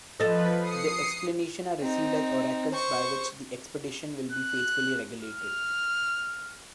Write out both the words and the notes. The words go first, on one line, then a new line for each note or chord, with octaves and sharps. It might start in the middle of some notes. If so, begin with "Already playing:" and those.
Their explanations are received as oracles by which the expedition will be faithfully regulated.
F3 A4 B4 D#5
D#6 C7 C#7
C4 D#4
C5 C#6
F#6
F6